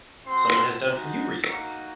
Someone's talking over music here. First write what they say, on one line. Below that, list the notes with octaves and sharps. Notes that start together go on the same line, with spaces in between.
someone has done for you recently?
C4 F#4 C6
G#3 D#4 F#4
A#3 D#4 F#4 C#6